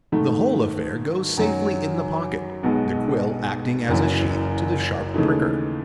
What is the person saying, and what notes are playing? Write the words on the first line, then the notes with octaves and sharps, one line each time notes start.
The whole affair goes safely in the pocket; the quill acting as a sheath to the sharp pricker.
G#2 D#3 A3
F#2 D#3 F#3
B1 B2 G#3 B3 D#4
F#1 F#2 E3
D#2 C#3 E3 A3 D#4